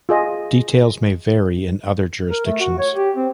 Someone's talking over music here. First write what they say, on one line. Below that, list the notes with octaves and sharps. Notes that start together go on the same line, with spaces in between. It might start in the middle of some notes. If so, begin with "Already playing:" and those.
Details may vary in other jurisdictions.
F4 G#4 D#5
A#4
A3
F#4
C#5
G4
C4